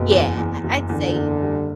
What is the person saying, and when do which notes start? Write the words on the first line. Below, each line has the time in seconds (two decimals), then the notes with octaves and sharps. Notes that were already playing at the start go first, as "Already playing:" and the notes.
yeah, I I'd say
Already playing: F#1 B2
0.11 E2
0.37 E2
0.64 F#1
0.89 E2 D3
1.15 F#1
1.42 G3